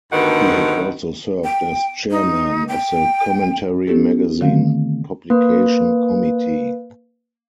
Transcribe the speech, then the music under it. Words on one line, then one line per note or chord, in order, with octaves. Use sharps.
He had also served as chairman of the "Commentary Magazine" publication committee.
D2 G2 D3 D#3 B3 F#5
G5
D#4
G5
B3 C#4 E4 G4 A4
D3 D#3 A3 C4 F5
A#3 B4